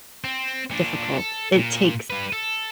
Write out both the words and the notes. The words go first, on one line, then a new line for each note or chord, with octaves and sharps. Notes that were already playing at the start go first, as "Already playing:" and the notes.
difficult, it takes
C4
A#2 D4
A4
A#2
G3 B4
A4